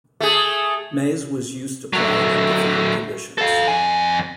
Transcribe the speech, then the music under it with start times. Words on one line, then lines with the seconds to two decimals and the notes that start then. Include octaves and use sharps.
Mays was used to playing in difficult conditions.
0.20 A3 G#4
1.93 F#3 A3
3.38 A4 F5
3.68 F2 G#5